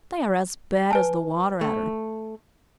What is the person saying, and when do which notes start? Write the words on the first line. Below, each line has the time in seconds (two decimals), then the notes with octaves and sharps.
They are as bad as the Water-Adder.
0.91 B4 G#5 A5
1.61 A3